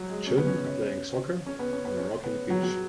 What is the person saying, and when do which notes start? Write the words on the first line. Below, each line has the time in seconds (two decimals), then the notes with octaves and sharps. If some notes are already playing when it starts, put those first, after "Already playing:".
Children are playing soccer on a rocky beach.
Already playing: F#3
0.10 G#3
0.27 C#4
0.37 B3
0.47 C#4
1.46 C#4
1.59 B3
1.73 C#4
1.85 B3
1.98 C#4
2.24 B3
2.50 F#3
2.63 F#3